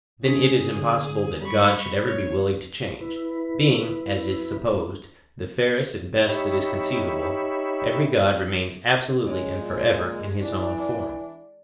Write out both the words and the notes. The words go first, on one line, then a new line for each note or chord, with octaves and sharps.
Then it is impossible that God should ever be willing to change; being, as is supposed, the fairest and best that is conceivable, every God remains absolutely and for ever in his own form.
C#3 C#4 D4 G#4
D3
G3 B5 C#6
A3 C#5
E4 B4
D#4 G4 C#5 E5 B5
G#3 C#4
A#2
E3 D4